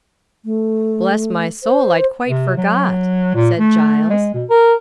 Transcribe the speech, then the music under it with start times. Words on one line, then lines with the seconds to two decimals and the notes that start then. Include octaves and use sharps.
"Bless my soul, I'd quite forgot," said Giles.
0.45 A3
1.64 C5
2.28 C3
2.57 F#3
3.34 A#2
3.59 A3
4.10 G#3
4.34 B2
4.49 A#4